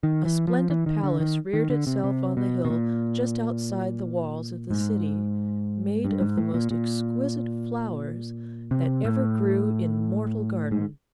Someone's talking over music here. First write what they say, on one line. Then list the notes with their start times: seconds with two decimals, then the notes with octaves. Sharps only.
A splendid palace reared itself on the hill just outside the walls of the city, made of the most exquisite flowers that ever grew in mortal garden.
0.03 D#3
0.25 E3
0.48 F3
0.70 E3
0.86 D#3
1.03 D3
1.20 D#3
1.53 D#3
1.70 D3
1.87 C3
2.04 C3
2.37 B2
2.65 B2
2.70 A#2
4.70 G#2
6.05 G2
6.21 G#2
6.38 A2
6.54 A#2
6.71 A#2
8.71 C3
9.05 A2
10.71 G#2